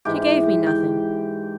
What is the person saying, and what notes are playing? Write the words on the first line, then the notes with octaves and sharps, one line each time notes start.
'She gave me nothing.
G#2 E3 G4
G5